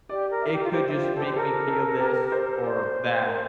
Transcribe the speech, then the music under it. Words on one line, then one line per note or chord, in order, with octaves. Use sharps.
it could just make me feel this or that.
G4 D5
A#4
E5
F4
G4
F4
G4 C5
E4
F4
G4
A4
G4 C5
A4 A#4
A4
G4
C5
C5 D5
A#4